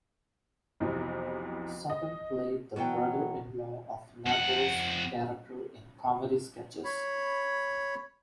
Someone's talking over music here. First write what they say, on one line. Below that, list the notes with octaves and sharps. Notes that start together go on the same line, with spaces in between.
Sutton played the brother-in-law of Nabors' character in comedy sketches.
F1 B1 F2 C3 E3
D#5
B2 E3 F#3 G5
F2 F#5
C#5 B5